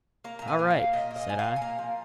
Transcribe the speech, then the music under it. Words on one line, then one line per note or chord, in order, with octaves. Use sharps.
"All right," said I.
A#3 A#5
A#2 A#5
G#5
A#3
F5
A#2
A#2 D#5
A#3
D#5
A#2 G#5
F5
A#2
G#5
A#3 A#5
F3